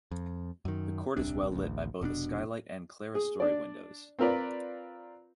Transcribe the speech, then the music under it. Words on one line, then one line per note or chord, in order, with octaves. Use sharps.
The court is well lit by both a skylight and clerestory windows.
F2
F#2 D#3
D#1 C2 C3 D4
A1 D2
F1 B2 C#4 D4
G#4
D4 D5
C4 F4 A#4 B4 D5